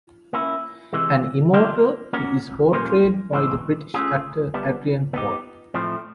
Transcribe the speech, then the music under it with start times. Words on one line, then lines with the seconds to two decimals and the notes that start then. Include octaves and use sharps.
An Immortal, he is portrayed by the British actor Adrian Paul.
0.33 A#3 C#4 E4
0.93 C3 E3 G#3
1.53 D3 G3 A#3 D4 F4
2.13 A#3 C#4 F#4 A#4
2.72 A#2 G3 A#3 C#4 F4
3.33 A2 E3 G#3 C4
3.94 A3 C#4 F4 G#4
4.54 G3 B3 D4
5.13 B3 D#4 G4
5.74 A2 F3 A3 C4